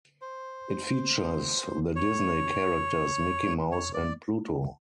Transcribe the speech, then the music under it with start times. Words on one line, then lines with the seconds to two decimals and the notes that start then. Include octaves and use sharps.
It features the Disney characters Mickey Mouse and Pluto.
0.22 C5
1.96 C#5
3.72 C#5
3.94 D5